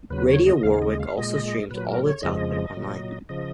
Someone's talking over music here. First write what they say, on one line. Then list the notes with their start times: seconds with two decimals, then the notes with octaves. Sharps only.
Radio Warwick also streams all its output online.
0.10 D#2 C#3 F#3 B4
0.28 C#5
0.47 D#5
0.63 D#2 C#3 G#3 F5
0.82 D#5
1.00 F5
1.17 A#2 G#3 D#5
1.70 A#2 F#3 B4
1.88 A#4
2.06 C#5
2.23 F2 C#3 F3 G#3 D#5
2.77 A#2 F#3
3.29 C#3 F3 D#5